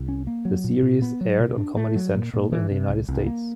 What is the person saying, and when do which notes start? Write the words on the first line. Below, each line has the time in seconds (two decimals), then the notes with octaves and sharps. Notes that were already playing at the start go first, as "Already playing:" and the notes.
The series aired on Comedy Central in the United States.
Already playing: C2
0.08 C#4
0.27 A#3
0.45 F#3
0.64 A#2
0.83 A#2
1.02 B3
1.21 F#3
1.40 B2
1.58 D4
1.76 A3
1.96 F#3
2.15 A#2
2.33 A#2
2.52 E3
2.71 C3
2.89 C2
3.08 C2
3.26 A#3